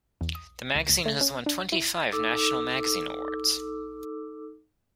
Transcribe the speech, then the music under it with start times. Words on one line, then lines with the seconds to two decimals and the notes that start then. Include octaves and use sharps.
The magazine has won twenty-five National Magazine Awards.
0.21 E2
0.35 D#6
0.75 C#2
0.89 C#2
1.06 A3
1.21 C#4
1.46 D4
1.72 E4
2.12 D#4 A4 D6 E6